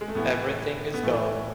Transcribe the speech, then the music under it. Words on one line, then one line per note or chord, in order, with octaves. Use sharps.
Everything is gone.
G#3
A3
A2 E3 B3
B3
A2 E3 A3